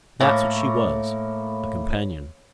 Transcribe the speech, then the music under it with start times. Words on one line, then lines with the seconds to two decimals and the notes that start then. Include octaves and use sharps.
That's what she was,--a companion.
0.20 A2 A#3